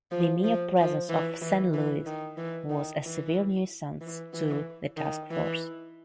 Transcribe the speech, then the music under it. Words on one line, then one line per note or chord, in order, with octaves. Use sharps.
The mere presence of "San Luis" was a severe nuisance to the Task Force.
F3
F3
F3
E3
E3
E3
D#3
E3
D#3
E3
E3
E3
D#3
E3